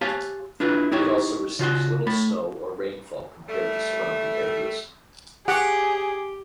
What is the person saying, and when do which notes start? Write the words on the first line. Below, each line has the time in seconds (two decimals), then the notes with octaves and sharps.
It also receives little snow or rainfall compared to surrounding areas.
0.01 G4 C#5 F5 G#5 A5
0.60 D4 E4 F4 B4
0.92 D#4 E4 G4 C#5
1.59 C#3 F4 F#4 C6
2.07 A3 B5
3.49 G3 A3
5.48 G4 G#4 F#5